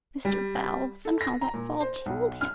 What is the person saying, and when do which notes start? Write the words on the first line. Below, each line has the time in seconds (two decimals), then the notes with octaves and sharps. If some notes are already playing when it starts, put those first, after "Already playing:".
Mr. Bell, somehow that fall killed him!'
0.25 G3
1.05 A4
1.21 A#6
1.41 A#5
1.54 A#2
1.81 C5
2.06 B1
2.41 F6